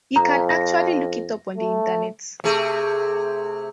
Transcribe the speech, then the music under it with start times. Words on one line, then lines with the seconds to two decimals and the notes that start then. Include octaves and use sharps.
You can actually look it up on the Internet.
0.16 F2 A#5
0.49 A#6
1.57 A3
2.44 C3 A3 G#4